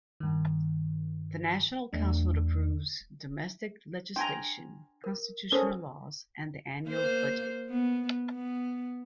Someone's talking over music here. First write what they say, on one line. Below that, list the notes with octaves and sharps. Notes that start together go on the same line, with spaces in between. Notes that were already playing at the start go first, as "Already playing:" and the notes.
The National Council approves domestic legislation, constitutional laws, and the annual budget.
G2 D#3
E2 A3 D4
D4 G5 G#5 A#5 C6
A#4
C#4 A4 A#4 C5 D#6
A#3 C5
B3
B3